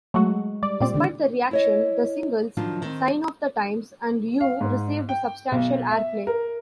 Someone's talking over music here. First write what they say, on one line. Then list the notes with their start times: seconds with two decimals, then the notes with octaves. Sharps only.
Despite the reaction, the singles "Sign of the Times" and "You" received substantial airplay.
0.14 F#3 G#3 A3 F#4
0.63 G3 D5
0.80 A#2 C4 D5
0.94 D3 D#3 D4
1.51 E4 C#5 D#5
2.57 D#3 F3 F#3 D4 F4
2.82 D#3 C4
4.41 F5
4.61 G#2
5.09 G5
5.52 B1
5.91 E5
6.27 A#4